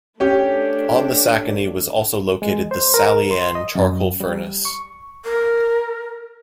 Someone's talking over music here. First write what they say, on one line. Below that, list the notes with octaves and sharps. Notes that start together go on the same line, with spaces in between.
On the Sacony was also located the "Sally Ann" charcoal furnace.
A3 C#4 D4 G4
G#3
C5
A#4
C6
D#5
F#2
G3
C#6
A#4